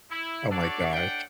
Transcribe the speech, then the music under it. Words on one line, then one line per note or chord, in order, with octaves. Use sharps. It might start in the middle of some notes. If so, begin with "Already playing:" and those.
Oh my gosh.
E4
D4 F#4 A4 C#5 D5
A2 D4 D5 F#5 G5